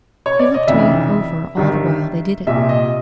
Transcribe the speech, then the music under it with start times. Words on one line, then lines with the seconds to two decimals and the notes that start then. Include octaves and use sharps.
He looked me over all the while they did it.
0.26 C#5
0.39 D5
0.54 D#5
0.68 F1 F2 C#3 E3 E5
1.57 G1 G2 D#3
2.47 C2 A#2 E5
2.69 D#5